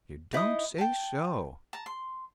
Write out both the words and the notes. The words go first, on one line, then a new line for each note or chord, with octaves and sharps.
"You don't say so!"
D#4 E4 D#5 D#6
G5 A5
A5 A#5
C6